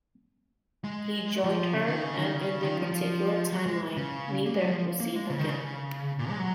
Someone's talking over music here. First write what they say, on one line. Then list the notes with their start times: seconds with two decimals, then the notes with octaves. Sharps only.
He joined her, and in that particular timeline, neither was seen again.
0.84 G#3
1.44 F3
1.74 C#3
1.88 D#3
2.03 C#3
2.18 D#3
2.33 C#3
2.63 D#3
2.77 F3
2.92 F3
3.52 F#3
3.66 G#3
3.97 C#3
4.46 A#3
4.54 G#3
4.62 F#3
4.71 F3
5.00 A#3
5.16 G#3
5.30 C#3
5.39 D#3
5.48 C#3
6.19 A#2
6.30 G#3
6.39 F#3